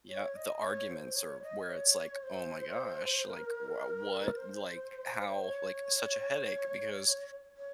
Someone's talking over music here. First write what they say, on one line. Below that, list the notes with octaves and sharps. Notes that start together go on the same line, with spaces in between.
yeah, the arguments are where it's like, "Oh my gosh, like wh what like, how" like, such a headache because
C#5
D#5
C#5
C5
C#5
D#5
C#5
C5
A#4
C5
C#5
C#5